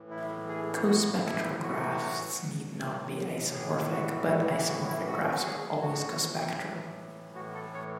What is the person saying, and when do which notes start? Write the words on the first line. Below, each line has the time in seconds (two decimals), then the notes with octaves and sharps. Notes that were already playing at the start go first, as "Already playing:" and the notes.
Cospectral graphs need not be isomorphic, but isomorphic graphs are always cospectral.
Already playing: A2 E3
0.10 E4
0.49 G#4
0.87 F#4
1.25 E4
1.63 F#4
2.77 A2 E3
3.53 G#4
3.92 F#4
4.29 F#4
4.50 E4
4.68 F#4
4.87 E4
5.07 F#4
5.38 F#4
5.44 G#4
5.82 A2 E3 F#4
7.35 F#4
7.54 A4
7.74 C#5